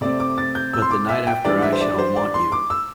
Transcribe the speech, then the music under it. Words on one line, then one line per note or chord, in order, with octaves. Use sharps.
But the night after I shall want you.
C3 A3 C4 D5
D6
A6
G6
E6
C6
D6
E5
G5
E3 G3 D4 D5
E5
C5
D5
C5
D5
C6
D6
E6